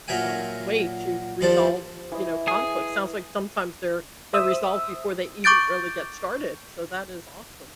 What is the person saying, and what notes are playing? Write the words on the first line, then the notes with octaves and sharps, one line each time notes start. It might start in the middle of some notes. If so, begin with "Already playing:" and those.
um, way to resolve, you know, conflict. Sounds like sometimes they're they're resolved before they even really get started, so that is awesome.
A#2 F#3 A#4 E5 G5 G#5
D#2 F3 G3 A4 C5 D5
E3 D#5
G#4 G#5
C5 E5 D#6 E6
C#6 D6 G6 A6 D7